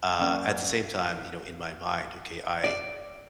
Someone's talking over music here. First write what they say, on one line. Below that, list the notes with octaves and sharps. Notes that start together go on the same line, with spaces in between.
Uh, at the same time, you know, in my mind, okay, I
F#2 A#3 C#4 D5 F#5 G#5
D5